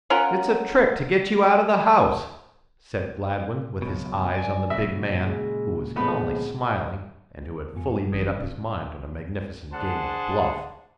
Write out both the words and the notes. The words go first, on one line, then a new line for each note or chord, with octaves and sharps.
"It's a trick to get you out of the house," said Gladwin with his eyes on the big man, who was calmly smiling and who had fully made up his mind on a magnificent game of bluff.
C#4 F4 A#4 F#5
C#2 B2 F#3
D5 G#5
A#2 C#3 F#4 E5
G#3
F2 A2 G#3 B3 B5
F2 G#2 B3 F4 G#5 C#7
G#3 F4
G#1 E3 C#4 D#4 D#6 G#6
C3 C#4
D4 G#4 C5 F#5 A5